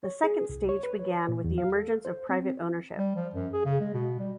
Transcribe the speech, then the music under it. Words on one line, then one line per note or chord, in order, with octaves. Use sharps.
The second stage began with the emergence of private ownership.
C#5
G#4
C2
C#5
B4
C#5
A#2
E2
F5
A4
C5
C4
G3
F3
F#2
G#4
C#3
G#3
B2
G3